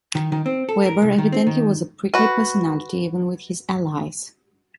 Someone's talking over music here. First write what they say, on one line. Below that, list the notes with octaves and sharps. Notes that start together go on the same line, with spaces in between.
Weber evidently was a prickly personality even with his allies.
D#3
D#3
C4
A4
A#4
C2
D#3
C4
D#3
F#4 B4